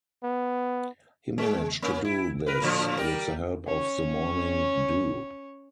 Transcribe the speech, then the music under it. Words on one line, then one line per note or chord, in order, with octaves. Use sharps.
He managed to do this with the help of the morning dew.
B3
G#3
A#3 C#4
E4
A#4 B4
A2 D3 F3
G3 G4 A#4
C#4 C#5